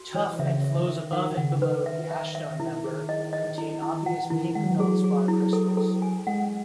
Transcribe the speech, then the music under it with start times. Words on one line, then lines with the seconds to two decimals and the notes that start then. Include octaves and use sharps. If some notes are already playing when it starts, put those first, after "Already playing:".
Tuff and flows above and below the ashstone member contain obvious pink feldspar crystals.
Already playing: F#4
0.15 E3 C#5
0.39 C#3 E5
0.64 E5
0.76 D#3
0.88 E5
1.13 D#3 F#5
1.37 C#3 F#5
1.61 D#3 B4
1.86 E5
2.11 E5
2.35 E5
2.60 D#3 E4
2.84 G#4
3.09 D#5
3.33 D#5
3.58 E4
3.82 E4
4.06 E3 F#5
4.30 D#3 E4
4.55 G#3 F#5
4.63 F#3
4.71 E3
4.79 F#3 G#4
5.04 G#4
5.28 E4
5.53 A4
5.77 A4
6.02 G#5
6.27 G#3 F#5